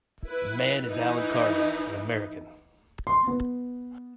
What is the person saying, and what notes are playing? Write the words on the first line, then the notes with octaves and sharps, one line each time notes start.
The man is Allen Carver, an American.
E4 B4
E3 D#4 E4
C6
B3